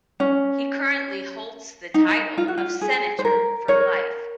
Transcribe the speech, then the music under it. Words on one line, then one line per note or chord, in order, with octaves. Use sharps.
He currently holds the title of Senator for life.
C#4
D#4
F4
F#4
F4
G#4
C5
A#4
A#4 C#5